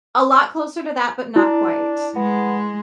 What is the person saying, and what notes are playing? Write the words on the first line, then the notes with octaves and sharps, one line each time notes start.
A lot closer to that but not quite.
D4 E4
G#3 B3